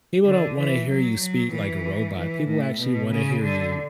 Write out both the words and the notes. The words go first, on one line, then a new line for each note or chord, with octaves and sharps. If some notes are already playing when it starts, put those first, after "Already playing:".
people don't wanna hear you speak like a robot. People actually wanna hear you,
D3
E3
F#3
F#3
E3
E3
A2
B2
C#3
D3